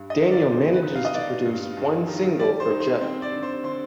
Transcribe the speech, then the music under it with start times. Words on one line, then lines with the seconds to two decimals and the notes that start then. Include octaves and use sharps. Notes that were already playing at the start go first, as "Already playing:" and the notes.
Daniel manages to produce one single for Joe.
Already playing: G2
0.10 D#5
0.20 D#3
0.31 D5
0.51 G2 C5
0.72 B4
0.83 D#4
0.95 F5
1.05 D#5
1.14 B3 D5
1.45 G2
1.77 G2
2.07 D#3
2.39 G3 D5
2.60 C5
2.70 D#4
2.80 C5
3.01 C4
3.22 D5
3.32 D3
3.43 C5
3.63 D3 C5